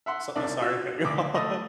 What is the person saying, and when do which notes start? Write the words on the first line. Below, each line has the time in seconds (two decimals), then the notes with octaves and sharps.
So, uh, sorry, cut you off.
0.06 E5 F#5 C6
0.35 C2 D4 D5
0.61 F4 F#4 E6
1.04 D2 D6
1.35 A3 D#5